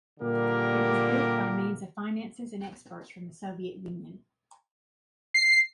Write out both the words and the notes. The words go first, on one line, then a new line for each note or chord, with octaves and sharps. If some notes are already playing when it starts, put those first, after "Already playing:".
It was built by means of finances and experts from the Soviet Union.
A#2 D3 G3 A#3 G4 A#4
C7